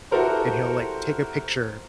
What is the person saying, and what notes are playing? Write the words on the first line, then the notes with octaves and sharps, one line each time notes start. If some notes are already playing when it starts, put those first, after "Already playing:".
and he'll, like, take a picture,
E4 F#4 G4 A4 A#4 C5